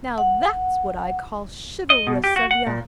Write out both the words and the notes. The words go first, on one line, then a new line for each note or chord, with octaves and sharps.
Now that's what I call chivalrous of yah.
F#5
D#5
B2
G4
F#4
F#5
A#2